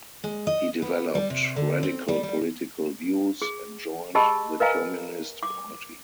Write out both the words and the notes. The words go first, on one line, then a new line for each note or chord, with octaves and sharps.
He developed radical political views, and joined the Communist Party.
G#3
D#5
B3
G3
C3
D3
C4
G3
G3
G#4
G4 G#4 D#5 A5 B5 E6
A#4 B4 D#5 F5 G#5 A#5
D6